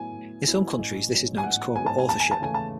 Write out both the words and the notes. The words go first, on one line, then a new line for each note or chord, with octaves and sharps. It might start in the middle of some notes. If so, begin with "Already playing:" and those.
In some countries, this is known as corporate authorship.
Already playing: A2 F#3 B3 E4 G#5
A2
F#3 B3 E4
A1
G#2 F#3 B3
G#5
A1 F#5
G#2 F#3 B3 G#5
A5
G#5
D#2 A5
G#5
A5
C#3 E3 A3 E4 G#5
A5